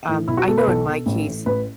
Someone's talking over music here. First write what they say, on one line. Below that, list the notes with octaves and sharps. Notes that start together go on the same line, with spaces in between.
Um, I know in my case,
A2 E3
B1 E4
F#4
B2 A4
B4
B1 A4
B2
A1
A2 E3
A1 B4